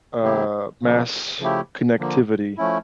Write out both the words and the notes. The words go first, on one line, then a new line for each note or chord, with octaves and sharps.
uh, mass connectivity.
C#3 E3 A#3 E4 G4
C#3 F3 A#3
C#3 F3 A3 E4 G4
D3 F3 A#3
F3 A3 C#4 E4